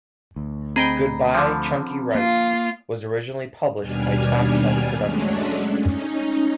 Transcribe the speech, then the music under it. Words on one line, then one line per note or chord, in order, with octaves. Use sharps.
"Good-bye, Chunky Rice" was originally published by Top Shelf Productions.
D2
C4 G#4 D#5 G5 A#5 B5
D3 F3
A#3 F4
D#2 B2 G3 D4 G#5 F6
F#3 G#3 A3 C#4 D4
C#4 D#4